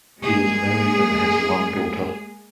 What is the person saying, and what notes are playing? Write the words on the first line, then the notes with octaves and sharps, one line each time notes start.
He is married and has one daughter.
G#3 A#3 G#4